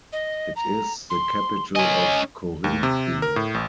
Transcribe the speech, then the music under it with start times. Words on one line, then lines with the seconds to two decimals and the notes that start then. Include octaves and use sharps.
It is the capital of Corinthia.
0.13 D#5
0.56 A#5
1.10 C6
1.76 C#4 D#5 G#5
2.64 D#2
2.83 C3
3.22 A#4
3.36 A2
3.54 A1